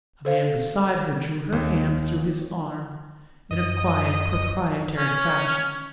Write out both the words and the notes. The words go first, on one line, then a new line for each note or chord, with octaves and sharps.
A man beside her drew her hand through his arm in a quiet proprietary fashion.
A4 C5 F5
D#2
F#2 D#5
C#4